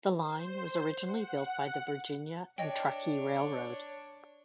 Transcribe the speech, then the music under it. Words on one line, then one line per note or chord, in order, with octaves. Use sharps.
The line was originally built by the Virginia and Truckee Railroad.
C5
F#5
D4 C#5 D#5 G5